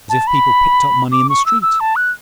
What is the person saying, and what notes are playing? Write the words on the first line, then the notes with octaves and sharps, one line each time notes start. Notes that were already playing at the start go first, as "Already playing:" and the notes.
As if people picked up money in the street!
A5
B5
D6
C#6
E6
E6
A5
F#6